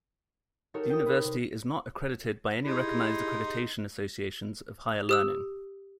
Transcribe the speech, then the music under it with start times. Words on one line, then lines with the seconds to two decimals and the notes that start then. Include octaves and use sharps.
The university is not accredited by any recognized accreditation associations of higher learning.
0.74 D#4 F#4 G4 A4 A#4 C#5
0.90 G5 D#6
1.06 B4 D#5
1.24 C3
2.65 D#4 E4 G4 G#4 C6
5.09 G4 D#6 E6